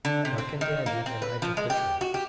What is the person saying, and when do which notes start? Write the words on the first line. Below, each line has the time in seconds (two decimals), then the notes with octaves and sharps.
Buck and Dandy and I took the trail.
0.05 D3
0.25 C3
0.38 C4
0.61 D#3
0.86 A#3
1.06 C4
1.22 B4
1.42 F3
1.57 G#3
1.70 G4
2.01 F#4
2.14 G4